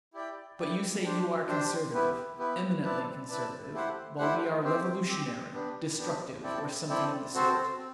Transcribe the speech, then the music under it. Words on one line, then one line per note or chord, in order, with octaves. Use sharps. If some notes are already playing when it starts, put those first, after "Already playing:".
But you say you are conservative--eminently conservative--while we are revolutionary, destructive, or something, of the sort.
E4 G4 D5 G5
E4 G4 D5 G5
D4 G4 C5
D4 G4 C5
B3 E4 G4 B4
B3 E4 G4 B4
C4 E4 B4 D5 A5
C4 E4 B4 D5 A5
A3 E4 G4 C5 F#5
A3 E4 G4 C5 F#5
C4 G4 C5
C4 G4 C5
B3 D4 G4
B3 D4 G4
C4 E4 A4 D5 G5
C4 E4 A4 D5 G5
C4 F#4 A4 C5
C4